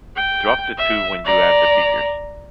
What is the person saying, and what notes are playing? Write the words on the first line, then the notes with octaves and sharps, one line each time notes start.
Drop the two when you add the figures.
G5
E5
D5 A#5